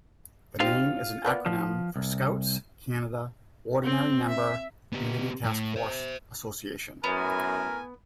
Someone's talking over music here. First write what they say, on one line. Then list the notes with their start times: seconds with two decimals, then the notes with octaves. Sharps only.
The name is an acronym for "Scouts Canada Ordinary-member Unity Taskforce Association".
0.60 C4 D#4 F4 G4 F5
1.25 A#3 B3 D5
1.46 F3
1.96 C2
3.84 C4
4.28 E5
4.93 B3 G4
5.45 A2
5.76 C5 E5
7.04 F#2 A3 B3 E4 A#4 G#5